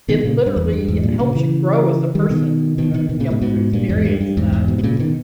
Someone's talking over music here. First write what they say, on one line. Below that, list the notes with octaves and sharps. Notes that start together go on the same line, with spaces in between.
it literally helps you grow as a person, you know, to be able to experience that.
B2 D#3
D#3
A#2 C#3
G2
E2
G2
E2 G#2
G2 A#2
A#2 C#3
C#3 E3
D#3 G3
B2 D#3
B2 D#3
B2 D#3
B2 D#3
A#2 C#3
G#2 B2
G#2 B2
G2 A#2
E2 G#2
G2
G2
E2 G#2
E2 G#2
G#2 B2
B2
A#2 C#3
B2 D#3